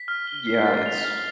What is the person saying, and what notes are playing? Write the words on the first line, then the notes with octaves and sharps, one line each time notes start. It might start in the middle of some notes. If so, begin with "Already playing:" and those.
Yeah, its
Already playing: B6
F6
G7
C7
A6
F7
F6